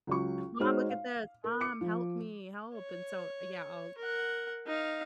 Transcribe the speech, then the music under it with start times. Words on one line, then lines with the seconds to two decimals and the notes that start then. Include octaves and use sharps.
"Mom, look at this." "Mom, help me, help," and so, uh, yeah, I'll
0.07 C#2 F#3 C#6
0.59 G#3 D#4 F#4 C5 C#5 F6
0.90 F5
1.44 A#4
1.61 D6 C#7
1.81 F3
2.75 C#5
3.98 A#4 F#5
4.67 D#4 F5